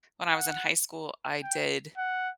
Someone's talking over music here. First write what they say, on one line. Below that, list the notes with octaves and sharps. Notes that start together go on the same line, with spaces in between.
when I was in high school, I did
F#5
G5
F#5